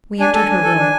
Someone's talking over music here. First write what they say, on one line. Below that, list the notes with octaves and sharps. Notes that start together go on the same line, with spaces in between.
We entered her room.
D4 G#5
A4 G#5
D4
A4
D4